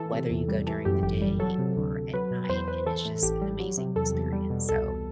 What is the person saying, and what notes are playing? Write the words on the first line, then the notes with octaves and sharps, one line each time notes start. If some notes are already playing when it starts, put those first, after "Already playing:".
whether you go during the day or at night, it is just an amazing experience, so
Already playing: E3 A4
C3
E2
G3
E3 A4
F#2 G4
G1 G4
G3
F#3 A4
C3
D2
D2
F#3 B4
B2
B4
E2 C5
E2 B4
E3 A4
A2
A1 G4
G3
F#3
C3
E2 A4
E2
G3
B2
C2 A4